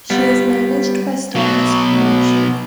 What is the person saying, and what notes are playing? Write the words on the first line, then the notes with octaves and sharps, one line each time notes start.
She is managed by Stardust Promotion.
G3 B3
B2 F#3